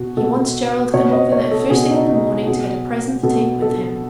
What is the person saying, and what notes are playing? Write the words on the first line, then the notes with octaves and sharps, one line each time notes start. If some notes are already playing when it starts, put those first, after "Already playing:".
He wants Gerald to come over there first thing in the morning to get a present to take with him.
Already playing: B2 F#4
B2 A4
B2 C#5
D#5
C#5
A4
B2 G#4
D#4
D#4
B2 G#4
B2 A4
A4